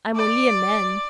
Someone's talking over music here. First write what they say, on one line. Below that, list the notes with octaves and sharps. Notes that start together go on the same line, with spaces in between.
I'm only a man.'
D5